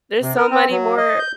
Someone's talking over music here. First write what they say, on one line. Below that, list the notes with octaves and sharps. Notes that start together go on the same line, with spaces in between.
there's so many more
C3
A#4
C4
F#3
D#5
G6